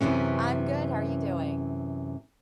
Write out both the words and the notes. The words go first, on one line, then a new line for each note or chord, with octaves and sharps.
I'm good, how are you doing?
F#2 A2 C3 E3 C#4